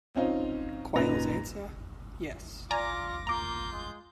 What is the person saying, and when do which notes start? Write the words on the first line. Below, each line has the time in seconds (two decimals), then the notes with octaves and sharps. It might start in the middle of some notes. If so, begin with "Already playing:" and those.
Quayle's answer: yes.
0.16 C4 C#4 D#4 F4
0.95 F#2 A#2 D#4 B4 A#6 F7
2.71 F4 D5 G#5 A#5 D6 A#6
3.27 A#3 F4 A#5 D6 G6
3.72 G#3